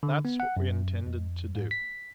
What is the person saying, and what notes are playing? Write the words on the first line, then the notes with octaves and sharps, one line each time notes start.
That's what we intended to do.
D3
B3
F#5
F#2
F2
G#2
B6